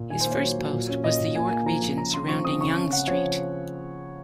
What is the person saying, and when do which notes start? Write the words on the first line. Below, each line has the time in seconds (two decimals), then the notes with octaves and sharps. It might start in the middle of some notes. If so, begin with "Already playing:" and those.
His first post was the York region surrounding Yonge Street.
Already playing: A#2
0.10 D#3 G#5
0.20 C5
0.26 A#3
0.31 C#5
0.41 F#3
0.57 F#3
0.73 A#2
0.88 C#4
1.04 A#2 D#5
1.20 A#2
1.35 A#3 G#5
1.50 A#3 G#5
1.66 F3 A#5
1.82 F3
1.98 C#3 A#5
2.13 C#3 C6
2.28 F3 C#6
2.44 C4 D#6
2.61 C#3 C#6
2.77 C#3
2.92 C#3 F#5
3.08 F3 C#5